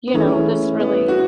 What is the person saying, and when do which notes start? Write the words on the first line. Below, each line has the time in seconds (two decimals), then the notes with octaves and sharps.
you know, "this really"
0.07 B3
0.14 E3 A3 C#4 E4 G#4
0.80 B3
1.08 F#4